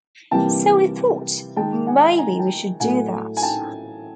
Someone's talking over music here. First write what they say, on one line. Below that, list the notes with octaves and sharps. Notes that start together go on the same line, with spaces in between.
So we thought, maybe we should do that.
C3 E3 G3 A#3 G5 A5
D#3 G#3 G5 A5
F#5 G#5
G#5 A#5
G5 A5
A2 F#3 A3 F#5 G#5
G#5
G5 A5